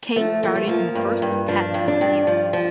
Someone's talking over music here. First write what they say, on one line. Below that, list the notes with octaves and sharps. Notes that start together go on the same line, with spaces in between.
Kay started in the first Test of the series.
F3 A3
F3 A#3
A3
F3 A#3
G2
G2
F3 D4
G2
D4
G2
F3
F3